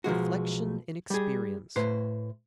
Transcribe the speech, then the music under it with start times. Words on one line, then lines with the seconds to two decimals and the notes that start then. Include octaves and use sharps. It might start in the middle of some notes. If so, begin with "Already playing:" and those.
Reflection in Experience.
0.04 B1 F3 G#3 F#4
1.10 G3 G#4
1.76 A2 B4 C5